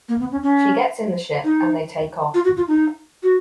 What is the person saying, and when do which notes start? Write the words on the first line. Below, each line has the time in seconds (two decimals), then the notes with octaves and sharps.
She gets in the ship, and they take off.
0.09 A#3
0.20 B3
0.32 C#4
0.43 C#4
1.44 D#4
2.34 F4
2.45 F#4
2.57 F4
2.68 D#4
3.23 F#4